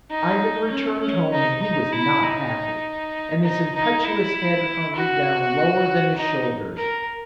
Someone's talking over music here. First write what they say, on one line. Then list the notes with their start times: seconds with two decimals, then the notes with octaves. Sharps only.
Ivan returned home, and he was not happy, and his impetuous head hung down lower than his shoulders.
0.10 D#4
0.70 C#4
1.01 C#4
1.32 D#4
1.62 D#4
1.93 E4
2.23 D#4
3.43 D#4
3.75 D#4
4.04 E4
4.95 F#4
6.16 D#4
6.77 A#4